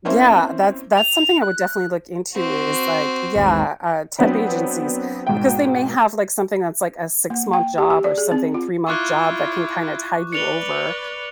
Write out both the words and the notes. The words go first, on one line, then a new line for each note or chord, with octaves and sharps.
yeah, that's that's something I would definitely look into is like, yeah, uh, temp agencies, because they may have like something that's like a six-month job or something three-month job that can kinda tide you over
A#3 C4 C#4 E4 C5
F7
F#6
C4 F#4
G#1 D#2 G#2
F#3 B3 C4 D4
G#2 B2 G5
A#3
G5
G4
G4
D5
G#4
C4
F4
E4 F4 C#6 D6 F#6
B4 D5 C#7 F7 G7